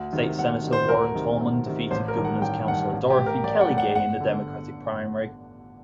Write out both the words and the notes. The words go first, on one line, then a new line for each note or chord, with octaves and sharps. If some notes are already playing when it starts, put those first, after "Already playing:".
State Senator Warren Tolman defeated Governor's Councilor Dorothy Kelly Gay in the Democratic primary.
Already playing: D2
C3 D#3
D2 F#5
C3 D#3
C5
D2 A#4
C3 D#3
D2
C3 D#3
A1 C5
A#4
G2 D#3
F#5
A1 G5
G2 D#3 F#5
A1
G4
A2
A#4
A1 D5
F#5
A2
F#5
G1 F#5
D3